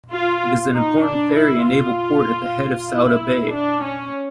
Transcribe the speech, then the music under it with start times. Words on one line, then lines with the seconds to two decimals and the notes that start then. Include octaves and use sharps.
It is an important ferry and naval port at the head of Souda Bay.
0.11 F4
0.74 D#4
1.04 D4
1.35 E4
1.66 F4
2.90 E4
3.53 D4
3.84 C#4